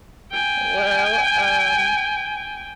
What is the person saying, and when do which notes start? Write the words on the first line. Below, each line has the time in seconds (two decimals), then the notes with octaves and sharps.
Well, um
0.31 G5 G#5